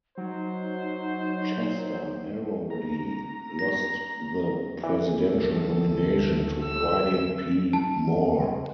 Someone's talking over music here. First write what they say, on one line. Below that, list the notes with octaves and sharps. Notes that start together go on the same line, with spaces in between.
Chester narrowly lost the presidential nomination to Brian P. Moore.
F#3 D#4 C5
A#5
A#6
E3 D5
D2 A4
E6
A5